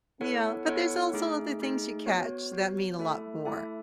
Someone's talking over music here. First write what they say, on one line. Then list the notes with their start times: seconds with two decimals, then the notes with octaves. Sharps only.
Yeah, but there's also other things you catch that mean a lot more.
0.21 B3 E4 A4 C#5 F#5
0.67 B3 E4 A4 C#5 F#5
1.13 A3 D#4 G#4
1.59 A3 D#4 G#4
2.06 B3 F#4 C#5
2.52 B3 F#4 C#5
2.99 A3 E4 A4 E5
3.45 A3 E4 A4 E5